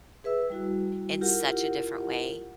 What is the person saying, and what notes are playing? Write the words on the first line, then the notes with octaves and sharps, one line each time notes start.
in such a different way.
G#4 B4 E5 E6
G3 E4 F#4
E4 F4 G4 A#4 F#5